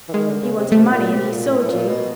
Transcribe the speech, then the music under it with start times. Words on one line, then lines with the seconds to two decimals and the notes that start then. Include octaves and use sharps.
He wanted money, and he sold you.
0.08 E3
0.13 D#3 G#3
0.28 D3
0.42 C#3
0.57 C3
0.72 C3 A3
0.91 A#2
1.11 C3
1.31 A#2
1.50 A2
1.69 A#2
1.89 B2